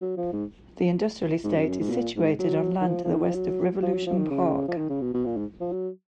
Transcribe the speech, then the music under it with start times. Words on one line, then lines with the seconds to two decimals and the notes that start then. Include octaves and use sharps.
The industrial estate is situated on land to the west of Revolution Park.
0.02 F#3
0.17 F3
0.33 G#2
1.44 G#2
1.56 F#2
1.63 F2
1.68 F#2
1.80 G#2
1.88 B2
1.91 A#2
2.16 G#2
2.39 F#3
2.81 D#3
2.87 F3
3.05 F3
3.11 D#3
3.23 F3
3.35 F#3
3.82 F3
3.94 F#3
4.06 F3
4.18 D#3
4.30 C#3
4.68 F3
4.78 D#3
4.89 C#3
5.01 B2
5.14 B2
5.25 A#2
5.37 G#2
5.61 F3
5.72 F#3